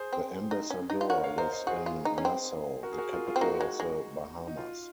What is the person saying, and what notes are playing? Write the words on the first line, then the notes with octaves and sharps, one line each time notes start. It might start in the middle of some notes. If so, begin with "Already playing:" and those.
The ambassador lives in Nassau, the capital of the Bahamas.
Already playing: G#4 C5
C4
D#4
C#4
D#4
F4
F#4 A#4 C#5
C#5 F5
A#4 C5 D#5
C5 D#5
F#4 G#4 C5
F4
D#4
C#4
C4
F#4 A#4
G#4
F#4 A#4
F4 G#4
F4 G#4
C4
A#3 D#4 F#4
G#3
G#3
D#4
F4